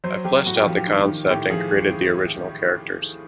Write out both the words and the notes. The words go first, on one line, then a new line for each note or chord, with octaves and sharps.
I fleshed out the concept and created the original characters.
F#3 C5
F#3 G4
A2 F#4
G4
F3
G4
D#3
D#3
A2 G4
F3 G#4